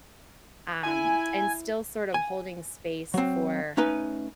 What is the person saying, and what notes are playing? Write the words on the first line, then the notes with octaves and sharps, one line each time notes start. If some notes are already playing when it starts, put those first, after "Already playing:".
um, and still sort of holding space for
E4 G#5
G#5
F#3 C4
A3 C#4 D#4 B4